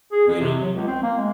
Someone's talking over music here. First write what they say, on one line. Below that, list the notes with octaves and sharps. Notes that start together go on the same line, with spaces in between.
You know?
G#4
F2
C3
F#3
C#2
C4
A#3
G#3